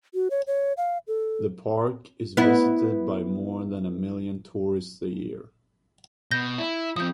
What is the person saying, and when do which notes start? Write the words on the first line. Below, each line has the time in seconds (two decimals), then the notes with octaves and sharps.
The Park is visited by more than a million tourists a year.
0.14 F#4
0.30 C#5
0.47 C#5
0.77 F5
1.08 A4
2.37 B3 E4
6.31 B2 G6 A#6 G7
6.58 E4
6.96 F3 C4 D#6 G6